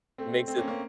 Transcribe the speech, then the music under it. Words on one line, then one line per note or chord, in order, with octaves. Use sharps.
It makes it
A3 C4
A3 C4
A#3 C#4
A#3 C#4